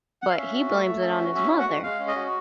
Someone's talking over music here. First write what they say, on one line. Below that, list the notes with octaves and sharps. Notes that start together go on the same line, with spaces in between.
but he blames it on his mother.
F#5
F5
C#4 E5
F#4
A3
A3
C#4
F#4
C#4 E5
F#4
F#5
G#3
G#3 F5
C#4
D#5
F#4